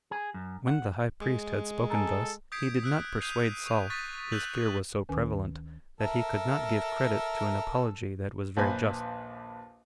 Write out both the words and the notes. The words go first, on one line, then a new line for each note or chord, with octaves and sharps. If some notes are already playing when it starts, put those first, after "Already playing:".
When the high priest had spoken thus, he did not persuade Saul, his fear was so prevalent, that he could not give credit to an apology that was very just.
G#4
F#2
F#5
G#3
A4 G#5 A#5
D#6 G6 G#6 B6 C7 D7
E6 F#6 D7
D#6 G6 C7 D#7 F7
C#6 F7
C#6 D#6 F#6 A6 B6
E6 F#6 G6 F7 F#7
D2 D#3 C#4 A#4 B4 G#5
A4 A#4 E5
A#1 D#2 B4 C5 G#5 B5